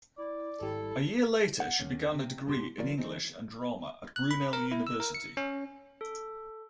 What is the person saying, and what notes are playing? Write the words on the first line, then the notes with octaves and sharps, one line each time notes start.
A year later she began a degree in English and Drama at Brunel University.
E4 D5
G#1 G3 E4 A4
F#5
D#2 C#4
C3
C2 G2 B2 G4 C6
D#3 E3 F#3 A#3 D5
E3 G#3 C4 D#4
F#6
B5
A#4
E4
E6
A#4
C#7
C#4
A4